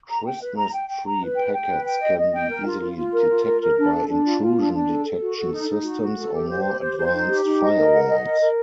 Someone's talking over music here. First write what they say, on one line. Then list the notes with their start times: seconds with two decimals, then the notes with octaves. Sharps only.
Christmas tree packets can be easily detected by intrusion-detection systems or more advanced firewalls.
0.09 A#5
0.25 G5
0.41 B4
0.57 A#5
0.73 G5
0.88 G5
1.05 A#5
1.21 B4
1.36 G5
1.53 G5
1.68 B4
1.84 G5
2.01 D#5
2.17 D#5
2.33 G5
2.49 A#4
2.64 F4
2.81 F4
2.96 F4
3.12 A#4
3.28 F4
3.44 A#4
3.61 A#4
3.76 D4
3.93 A4
4.09 D4
4.24 F4
4.41 F4
4.57 D4
4.72 D4
4.89 A4
5.04 A4
5.21 F#4
5.37 A4
5.53 D#4
5.69 D#4
5.84 F#4
6.01 F#4
6.16 A4
6.33 G4
6.49 C5
6.65 G4
6.80 C5
6.96 C5
7.13 D#4
7.28 G4
7.44 D#4
7.61 D#5
7.77 A#4
7.92 F#5
8.09 D#5
8.24 A#4
8.41 A#4